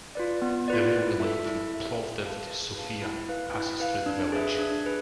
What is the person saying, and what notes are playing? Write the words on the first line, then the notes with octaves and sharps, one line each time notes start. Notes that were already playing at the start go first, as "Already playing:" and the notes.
The railway line from Plovdiv to Sofia passes through the village.
F4 B4 D5
B3
F4 B4 D5
E4
A4 E5
E4
A4 E5
G#4
B4 F5 A5
G#4
B4 F5 A5
E4
B4 F5
E4
B4 F5
D4
G#4 B4 E5
D4
G#4 B4